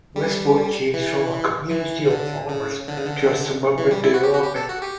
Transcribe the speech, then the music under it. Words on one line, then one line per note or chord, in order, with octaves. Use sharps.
Westport changed from a community of farmers to a suburban development.
G3
E3
E3
C#3
D3
C#3
D3
C#3
D3
E3
G3
E4
F#4
G4
F#4
G4
A4
F#4
G4